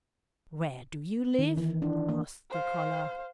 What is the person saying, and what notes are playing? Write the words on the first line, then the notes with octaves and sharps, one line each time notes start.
"Where do you live?" asked the collar.
D#3
E3
D4
A#3
C5 F5